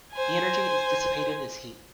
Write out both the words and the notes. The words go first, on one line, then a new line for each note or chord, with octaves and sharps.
The energy is dissipated as heat.
C5 G#5